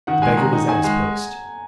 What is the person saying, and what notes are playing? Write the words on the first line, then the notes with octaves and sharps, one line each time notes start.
The beggar was at his post.
D#3 F#5
G#3 G#5
D#3 A#5
D#4
D#3 G#5
G#3